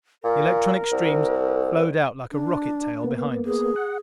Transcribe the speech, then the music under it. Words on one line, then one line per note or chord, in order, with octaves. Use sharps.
The electronic streams flowed out like a rocket tail behind us.
A#2 A#4
C2
D4
A#3 B3
G#4
F#5